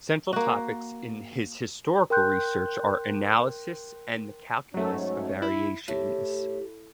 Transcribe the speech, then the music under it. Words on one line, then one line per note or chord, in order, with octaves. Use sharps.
Central topics in his historical research are analysis and the calculus of variations.
A#3 F#4
A#4 G5 C6 F#6 G6
G#2 F#3 A3 C#4
E4
A2 G4